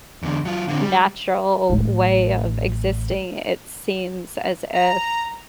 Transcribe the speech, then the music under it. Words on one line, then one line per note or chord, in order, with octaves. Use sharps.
natural way of existing, it seems as if
E2 D3
F#3 F4
D3 C4
G3
A1 A3
A#5